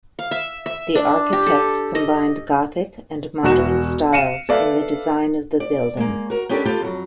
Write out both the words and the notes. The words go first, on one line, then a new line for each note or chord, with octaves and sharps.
The architects combined Gothic and modern styles in the design of the building.
F5
E5
E5
D4
G4
A4
D#5
E1 F#4 E7
F5 C#7 D#7 E7
A4 B4 D5 E5 F5
D5
G#3 A#3
F#4 A#4
B3 C#4 D4 G4 A4 A#4
B3 F4 G4 A4
F2 F#3